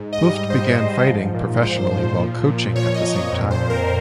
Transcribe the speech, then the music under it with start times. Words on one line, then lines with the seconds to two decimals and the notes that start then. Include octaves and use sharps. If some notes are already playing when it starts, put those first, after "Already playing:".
Hooft began fighting professionally while coaching at the same time.
Already playing: G#2
0.13 D#5
0.21 G3
0.31 D#5
0.50 G#2 C5
0.78 G#2
1.07 F3
1.34 A#2
1.63 A#2 C5
1.91 F3
2.19 F3
2.47 A#2
2.76 F3 C#5
2.95 D#5
3.04 A#2
3.13 C#5
3.32 F2 C#5
3.51 C5
3.61 F2
3.70 A#4